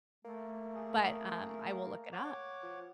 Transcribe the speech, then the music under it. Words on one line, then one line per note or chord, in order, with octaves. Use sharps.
But, um, I will look it up.
A3 A#3
G#4
C#5 F#5 D6
F3